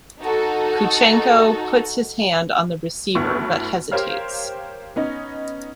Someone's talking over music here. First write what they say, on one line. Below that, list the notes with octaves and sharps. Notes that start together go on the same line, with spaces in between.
Kuchenko puts his hand on the receiver but hesitates.
D#4 F#4 A4
G1 D2 B3 E4 C#6
G4 A#4 C5 C#5 F5 F6
B3 C#4 D#4